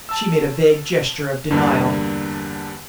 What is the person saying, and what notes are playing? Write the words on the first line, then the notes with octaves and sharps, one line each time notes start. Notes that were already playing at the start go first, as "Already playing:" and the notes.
She made a vague gesture of denial.
A5 E6
E2 G2 D3 G3 A#3 D4